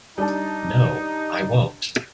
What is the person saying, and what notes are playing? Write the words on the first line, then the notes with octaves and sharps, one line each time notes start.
No, I won't!
G3 D4 D#4 A5